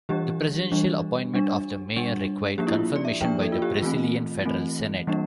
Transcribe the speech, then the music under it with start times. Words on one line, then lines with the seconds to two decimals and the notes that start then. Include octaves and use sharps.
The presidential appointment of the mayor required confirmation by the Brazilian Federal Senate.
0.09 E3 G3 D4 G4
0.72 E3 G3 D4
1.34 G3 D4
1.96 G3 D4
2.58 F3 A#3 D4 G4
2.67 E4
2.74 F4
2.96 D5
3.05 E5
3.21 F3 A#3 D4 G5
3.41 A4
3.52 F4
3.62 G4
3.82 E3 A3 C4 F4
4.45 E3 A3 C4
5.07 E3 G3 A#3 D4